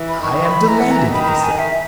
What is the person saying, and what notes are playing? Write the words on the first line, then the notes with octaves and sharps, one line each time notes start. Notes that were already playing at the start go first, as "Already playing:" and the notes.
'I am delighted,' he said.
Already playing: E3
B5
D#3 C#6
B5
E3 A#5
F#5
A#5
D#3 B5
B5
A#5
G#5
E5